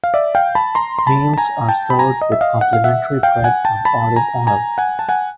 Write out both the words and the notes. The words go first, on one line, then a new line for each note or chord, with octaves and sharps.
Meals are served with complimentary bread and olive oil.
F5
D5 E5
F5 G5
A5 B5
A#5 C6
C6
A5 B5
A5
G#5 A#5
G5 A5
B5
G#5 A#5
D#5
E5
D#5 F5
F#5
F5
E5 F#5
F5 G5
F#5 G#5
G5 A5
A5 B5
G#5 A#5
G#5 A#5
F#5 G#5
A5
F#5 G#5